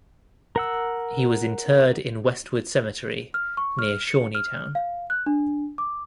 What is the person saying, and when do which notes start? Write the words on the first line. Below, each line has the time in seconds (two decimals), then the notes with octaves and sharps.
He was interred in Westwood Cemetery, near Shawneetown.
0.56 A#4 F#5 E6
3.34 F6
3.57 C#6
3.79 F6
4.07 C#7
4.35 F6
4.75 F5
5.10 F#6
5.26 D4
5.78 D6